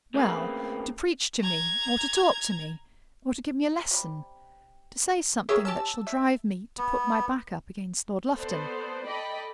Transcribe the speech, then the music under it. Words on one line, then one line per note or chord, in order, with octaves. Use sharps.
"Well, to preach to me, or to talk to me, or to give me a lesson; to say something that shall drive me to put my back up against Lord Lufton?"
C#3 A3 A#3 C4 B4
A#5 G#6
C3 G3
G4 G#4 A#4 C#5 E5 E6
C#4 G4 A5 E6
E5
B3
B3 A4 C5 D5
A4 D5 D#5 G5 B5